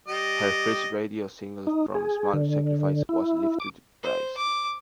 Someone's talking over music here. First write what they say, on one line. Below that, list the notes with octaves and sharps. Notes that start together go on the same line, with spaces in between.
Her first radio single from "Small Sacrifice" was "Live to Praise".
G3 G4 D#5
D#4
G#4
D3
E4
D6
C5
D6